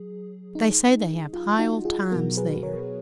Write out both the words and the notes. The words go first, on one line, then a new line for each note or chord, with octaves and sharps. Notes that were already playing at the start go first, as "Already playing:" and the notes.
They say they have high old times there.
Already playing: F#3 G#4
D#4
F4
D#4 F#4
F4 G#4
B2 F#3 B3 F#4 A#4
G#4 B4
A#4 C#5